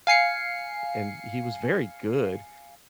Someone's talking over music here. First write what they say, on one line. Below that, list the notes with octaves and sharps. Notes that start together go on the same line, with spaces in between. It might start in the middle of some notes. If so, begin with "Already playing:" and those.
and he was very good,
F5 G#5 C7 C#7